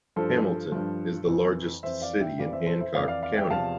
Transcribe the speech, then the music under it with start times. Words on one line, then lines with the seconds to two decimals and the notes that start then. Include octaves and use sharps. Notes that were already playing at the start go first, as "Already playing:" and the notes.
Hamilton is the largest city in Hancock County.
0.16 G2 F3 A4 C5
0.72 G2 F3
1.28 F2 E3
1.83 F2 E3 C5 E5
2.02 D5 F5
2.20 E5 G5
2.39 F2 E3 D5 F5
2.53 C5 E5
2.66 A4 C5
2.80 C5 E5
2.94 F2 E3 D5 F5
3.08 D5 F5
3.22 D5 F5
3.36 E5 G5
3.50 E2 C3 F3 F5 A5